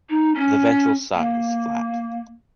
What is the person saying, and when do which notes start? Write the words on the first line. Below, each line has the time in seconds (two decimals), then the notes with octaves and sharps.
The ventral side is flat.
0.09 D#4
0.34 C#4
1.14 A#3